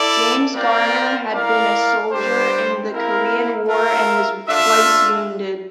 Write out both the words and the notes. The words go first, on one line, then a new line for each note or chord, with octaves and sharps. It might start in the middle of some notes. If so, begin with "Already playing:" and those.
James Garner had been a soldier in the Korean War and was twice wounded.
Already playing: E4 A4 D5
C4 F4 A#4 D5 G5
E4 A#4 D5 F5
G3 D4 G4 C5
C4 E4 A#4 F5
F4 A#4 E5
D4 F4 A4 E5